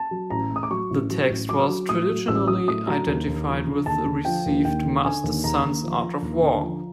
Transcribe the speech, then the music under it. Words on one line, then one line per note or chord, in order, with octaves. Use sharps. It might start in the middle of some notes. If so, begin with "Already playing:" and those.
This text was traditionally identified with the received "Master Sun's Art of War".
Already playing: A5
F#3
A1 A#5
A2
D#6
D6
F#3 C#6
A1
F#3
A1
F#3 D6
F#3
A2 D#6
F#3
A1 E6
F#3 D#6
A2 D#6
F#3 A#5
D#2
D#2
F3
D3
D#2 A5
D3
F3 G5
D#2
D#2 G5
D3
D3 G#5
D#2
D#2 A#5
D#2
F3
F3
D#2
D3
F3